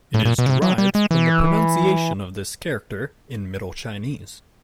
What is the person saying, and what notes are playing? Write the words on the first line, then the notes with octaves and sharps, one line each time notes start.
It is derived from the pronunciation of this character in Middle Chinese.
A2
A#2
B2
C#3
C3
F#3
G3
G#3
E3